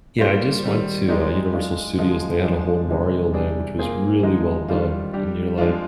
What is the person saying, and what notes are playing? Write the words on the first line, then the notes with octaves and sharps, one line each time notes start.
Yeah, I just went to, uh, Universal Studios, and they had a whole Mario Land, which was really well done, and you're, like
G3 A#3 F4 C5
D#3 G3 C4
G#3 C4 D#4 G4 D5
G#3 D4 F4
D3 F3 G#3
F3 G#3 D4
C3 D#3 G#3 D4
C3 G3 D4 G#4 D5
A#3 F4 G#4 C5
D3 F3 G#3 D#4
D#3 G3 D4 F4
G3 D4 G4
F3 G#3 D4 F4